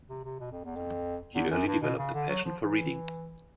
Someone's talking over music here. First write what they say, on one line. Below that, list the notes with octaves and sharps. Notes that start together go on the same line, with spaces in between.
He early developed a passion for reading.
C3
C3
B2
F2
E2
F2
E2
F#2
G2
B2
C#3
D3
F#3
F3
E3